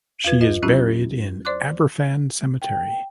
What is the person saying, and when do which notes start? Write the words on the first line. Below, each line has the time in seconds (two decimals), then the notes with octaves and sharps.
She is buried in Aberfan cemetery.
0.24 E2 F4 B4 G#6
0.41 F4 D#5
0.62 F#3 C4 C#4 E4 F4 G4
1.45 C5 D5 C6 D6 F#6
2.62 G5